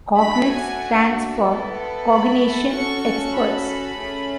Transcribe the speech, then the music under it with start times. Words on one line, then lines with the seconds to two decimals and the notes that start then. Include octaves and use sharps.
Cognex stands for Cognition Experts.
0.18 A3 D4 F#4 B5
0.50 G#5
1.45 B3 E4 A4
2.09 B5
2.72 C#4 F#4 A4 C#6
3.37 B5
3.99 A3 C#4 G#4